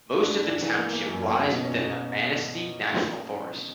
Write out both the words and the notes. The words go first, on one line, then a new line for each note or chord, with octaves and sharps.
Most of the township lies within the Manistee National Forest.
D4
D4
D4
E3
A#3
A#3
F#2
A#3
C#4
B2
C#4
B2